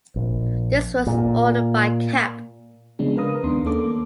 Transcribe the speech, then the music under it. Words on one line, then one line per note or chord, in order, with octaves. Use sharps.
This was ordered by cap.
A#1
A#2
C#3 F3 G#3 B3 C#4 D4
A#4 B4 F5 A#5 D#6
D#2 D#3 B3 D4 C6
A#3 C#4 A4 D6
A#3